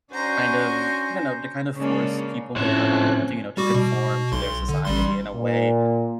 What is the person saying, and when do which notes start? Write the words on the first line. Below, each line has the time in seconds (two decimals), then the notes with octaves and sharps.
kind of, I don't know, to kind of force people to have, t you know, to conform to their society in a way,
0.12 C#4 D4 F#4 C5 G#5 A#5
1.77 C#3 G#3 A#3 C#4 D4
2.56 A2 F3 C4 C#4 C#5 E5 F#6
3.57 G3 F#4 D6
3.74 B2
4.32 B1 C6
4.69 D3
4.85 A1 G3 C6
5.34 A#2